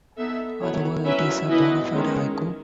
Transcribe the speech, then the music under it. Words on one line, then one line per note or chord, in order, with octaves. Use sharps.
Otherwise, it is a bona-fide haiku.
B3 D#4 A4 E5
F#3 B3 E4 A4 C#5
F#3 C#4 E4 B4 E5
E3 B3 E4 B4 D#5
D#3 G#3 C#4